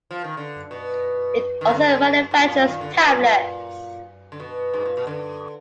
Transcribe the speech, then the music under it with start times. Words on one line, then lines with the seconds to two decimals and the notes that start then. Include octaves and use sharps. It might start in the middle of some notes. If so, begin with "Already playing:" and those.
It also manufactures tablets.
0.11 F3
0.24 D#3
0.37 D3
0.71 B2
1.61 D#3
1.71 D3
2.31 G#2
2.38 A#2
2.57 F3
2.68 D#3
2.81 D3
2.94 B2
3.06 A#2
4.32 D3
4.40 B2
4.74 G#2
4.85 A#2
4.97 B2
5.07 D3